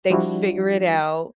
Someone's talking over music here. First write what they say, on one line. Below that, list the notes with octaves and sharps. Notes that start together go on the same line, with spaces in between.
they figure it out,
F3 G3 D4 E4 F#4